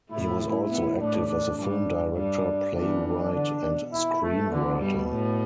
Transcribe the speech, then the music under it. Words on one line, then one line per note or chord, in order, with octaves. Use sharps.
He was also active as a film director, playwright and screenwriter.
A2 A3 E4
E4
B2 B3
A2 A3 D4
D4
G2 G3 D4
G2 G3 D4
E2 E3 D4
D4
D3
B2
E4
A3
E2 D3 E3
G2 B2 G3
A2 A3